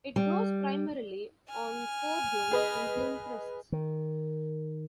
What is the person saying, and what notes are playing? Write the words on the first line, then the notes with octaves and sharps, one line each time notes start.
It grows primarily on foredunes and dune crests.
G3
G#5 F6
G#4 B4 D#5
D#3